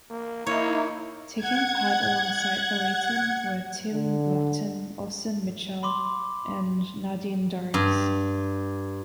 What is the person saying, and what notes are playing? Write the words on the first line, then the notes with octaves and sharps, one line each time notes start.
Taking part alongside Oaten were Tim Loughton, Austin Mitchell and Nadine Dorries.
A#3
A#3 D#4 E4 C#5
F#5 G#6
D3
B5 C6 D6
G2